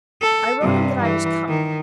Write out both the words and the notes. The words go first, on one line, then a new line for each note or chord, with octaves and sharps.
I wrote him that I was coming.
A4
G2 C3
E3
D#3